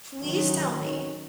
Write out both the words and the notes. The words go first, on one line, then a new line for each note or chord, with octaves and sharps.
Please tell me.
D#3 F#3 C#4